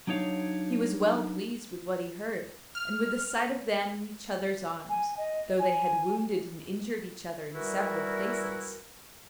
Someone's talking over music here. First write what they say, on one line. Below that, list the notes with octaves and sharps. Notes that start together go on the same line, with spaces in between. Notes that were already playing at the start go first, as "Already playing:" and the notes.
He was well pleased with what he heard and with the sight of them in each other's arms, though they had wounded and injured each other in several places.
F#3 D4 D#4 C#5 F5
F6
G#5
D#5
G#5
E3 G3 E4 F#4 A#4